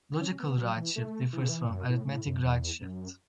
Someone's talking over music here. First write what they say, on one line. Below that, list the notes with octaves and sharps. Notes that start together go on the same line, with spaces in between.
Logical right shift differs from arithmetic right shift.
C#4
B3
F#3
E3
A3
E3
C#3
E3
A2
F#2
A2
A2
F#2
E2
F#2